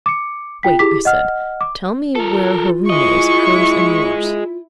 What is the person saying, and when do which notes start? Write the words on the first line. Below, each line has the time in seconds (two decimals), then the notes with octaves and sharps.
"Wait," I said, "tell me where her room is, hers and yours."
0.06 D6 C#7
0.63 F4 G5 B6
0.79 E4 G4 G#4 D6 B6
1.05 D#5 F#5 F6
1.61 D6
2.15 F4 A4 A#4
2.90 E4 G#4 D#5 C#6